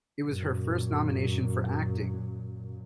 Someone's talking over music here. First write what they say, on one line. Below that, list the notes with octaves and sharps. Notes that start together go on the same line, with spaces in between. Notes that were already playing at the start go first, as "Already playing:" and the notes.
It was her first nomination for acting.
F#2 A#2